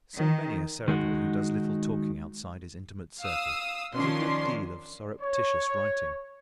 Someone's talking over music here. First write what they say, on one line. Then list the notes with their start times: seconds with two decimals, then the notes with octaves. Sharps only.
So, many a Cerebral who does little talking outside his intimate circle does a good deal of surreptitious writing.
0.14 D#3
0.88 D#3 G#3 D#4 F#4
3.22 F5 D#6 E6
3.95 D#3 F3 C#4 D4 C6
5.21 C#5